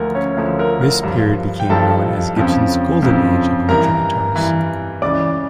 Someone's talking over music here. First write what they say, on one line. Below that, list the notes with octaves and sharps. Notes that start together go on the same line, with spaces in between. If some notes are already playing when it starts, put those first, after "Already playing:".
This period became known as Gibson's golden age of electric guitars.
Already playing: D2 D3 F3 A#4
C#4 C#5
D2 D3 F3
A#4
A#4
G2 F3
G5
G2 F3 A4 A5
F2 C#3 F3
F2 C#3 F3
G2 E3 A#4 A#5
G2 E3
C#2 C#3 E3 D5 D6